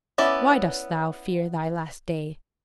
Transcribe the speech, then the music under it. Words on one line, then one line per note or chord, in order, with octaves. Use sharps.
Why dost thou fear thy last day?
B3 C#4 E4 D5 E5